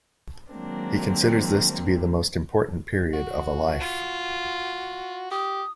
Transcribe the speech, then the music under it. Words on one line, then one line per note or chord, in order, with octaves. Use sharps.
He considers this to be the most important period of a life.
D#3 F#3 G#3 A#3 C4 D4
F#4
F4
G4 D#6